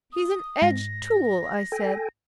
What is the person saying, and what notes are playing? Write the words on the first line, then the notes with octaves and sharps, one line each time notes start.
'He's an edged tool,' I said.
D#6
G#2 A#6
A4 G5 G#5